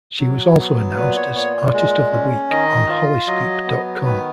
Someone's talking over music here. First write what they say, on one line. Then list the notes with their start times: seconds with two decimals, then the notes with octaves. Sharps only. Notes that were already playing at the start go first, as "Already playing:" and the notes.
She was also announced as Artist of the Week on Hollyscoop dot com.
0.19 F#3
0.58 B3
0.96 A#2 B4
1.16 C#5
1.35 A#2 C#5
1.74 G#3
2.12 C#4
2.51 D#3 D#5
2.89 F4
3.27 F#3 D#5
3.66 B3
4.05 D#3 B4